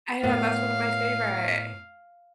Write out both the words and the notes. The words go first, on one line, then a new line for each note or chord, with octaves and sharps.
I know, that's one of my favorite.
A2 B3 A#4 F5